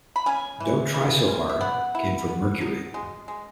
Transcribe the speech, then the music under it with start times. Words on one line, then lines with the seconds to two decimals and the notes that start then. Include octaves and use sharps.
"Don't Try So Hard" came from Mercury.
0.16 B5
0.26 C#4 G#5
0.60 E3
0.94 E3
1.28 C#4
1.49 E5
1.61 B3 F#5
1.95 E4
2.28 B3
2.61 F#3
2.94 G#3
3.28 G#3